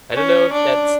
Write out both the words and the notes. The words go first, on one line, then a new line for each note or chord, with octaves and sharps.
I don't know if that's
C#4
D4